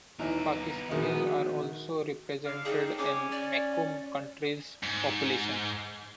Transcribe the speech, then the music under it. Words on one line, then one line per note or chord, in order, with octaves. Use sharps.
Pakistanis are also represented in Macomb County's population.
D#2 E3 B3 D#4 A#5
A#1 D#3 G#3 F#4
D3 D4 F5
C4 D4 D#4 G#4
C#4 D6
D5
G#2